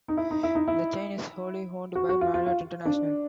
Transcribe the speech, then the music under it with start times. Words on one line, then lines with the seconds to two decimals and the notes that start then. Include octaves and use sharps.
The chain is wholly owned by Marriott International.
0.08 D#4
0.17 E4
0.31 D#4
0.43 E4
0.55 D#4
0.68 E4
1.95 F#4
2.09 F#4
2.21 F4
2.34 F4
2.46 F4
2.85 D4